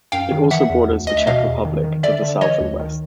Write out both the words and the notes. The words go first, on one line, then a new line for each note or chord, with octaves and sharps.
It also borders the Czech Republic to the south and west.
F#2 F5 G5
D#3
E3 E5 F#5
E2
D2
D2 D#5
E5
B2 D#5 F5
E2
D#3
D#3
D3 D5 E5
D3
E3 C#5 D#5
D2
D#3